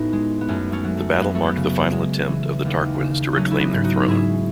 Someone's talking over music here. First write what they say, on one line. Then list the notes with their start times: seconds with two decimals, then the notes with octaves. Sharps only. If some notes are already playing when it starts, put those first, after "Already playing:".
The battle marked the final attempt of the Tarquins to reclaim their throne.
Already playing: A2 B3 C#4 D#4 F#4
0.13 G#3
0.41 B3
0.48 F#2 A3 C#4
0.72 A3 C#4
0.84 F#3
0.97 A3
1.20 F#2 B3
1.35 A3
1.48 B3
1.56 C#3
1.92 G#3
2.28 E3
2.65 D#2
3.00 C#3
3.32 F#3 A3 C#4 D#4
3.51 E4
3.60 B3 D#4
3.72 G#2
3.84 D#4 F#4
4.06 G#2 E4 G#4